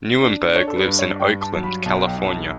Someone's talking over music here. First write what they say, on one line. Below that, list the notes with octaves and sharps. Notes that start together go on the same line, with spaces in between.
Neuburg lives in Oakland, California.
D4
D5
D4 C#5
A4
B4
G2
C#5
G2 G5
A5
F#3 A5
B5
B1 A5
G5
B1
A5